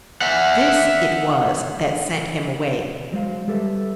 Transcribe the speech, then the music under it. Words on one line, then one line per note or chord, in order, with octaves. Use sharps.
This it was that "sent him away."
E5 F#5
F#3 G#3 C5 F5
G3 G4 A4 B4 E5